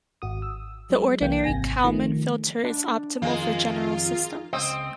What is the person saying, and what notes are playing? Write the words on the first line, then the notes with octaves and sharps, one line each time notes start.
The ordinary Kalman filter is optimal for general systems.
G#1 F#4 D#6
E6
F#3 G#3
C2 E3 A#3 G5
G#1 C3 G#5 A#6
D#3 F3 A3
D4
F2 D#3 G#3 A#3 F4 D#5
C#2 C4 D#5